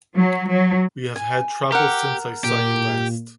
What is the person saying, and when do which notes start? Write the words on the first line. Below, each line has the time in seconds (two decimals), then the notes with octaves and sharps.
We have had trouble since I saw you last.
0.16 F#3
0.52 F#3
1.16 G#5
1.72 G4 A#4 F#5
2.44 A#2 G4